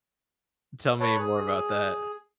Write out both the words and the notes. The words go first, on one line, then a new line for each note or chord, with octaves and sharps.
Tell me more about that.
B4 C#5 A5
G#4